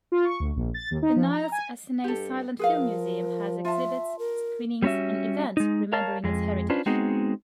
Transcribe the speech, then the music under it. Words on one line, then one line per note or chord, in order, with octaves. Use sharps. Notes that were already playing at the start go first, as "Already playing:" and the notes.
The Niles Essanay Silent Film Museum has exhibits, screenings, and events remembering its heritage.
F4
C#6
D2
A#1
A6
D#2
D#4
F3
A#5
G#5
G2 G4 A4
F3 G#4 A#4 B4 F5
F4 E5 A5
A#4
G3 B3 C#4 F#4 E5
G#3 D#4
A#4 C#5 F5 A5
F2 G#3
C#4 D4 F4 B4 C5
G#3 B3 C4 D#4 F#4 G#4